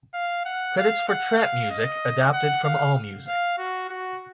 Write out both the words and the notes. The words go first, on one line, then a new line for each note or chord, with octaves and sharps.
Credits for "Trap Muzik" adapted from Allmusic.
F5
F#5
F5
F#5
F5
D#5
F#5
F5
F5
F#4
F#4